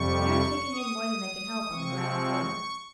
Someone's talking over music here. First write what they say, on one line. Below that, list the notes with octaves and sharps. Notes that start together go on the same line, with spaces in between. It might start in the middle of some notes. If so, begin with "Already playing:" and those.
They aren't taking in more than they can help on the ground-floor.'
Already playing: F2 C3 G3 C#6
D#6
C3 F3 G#3 C4 C#6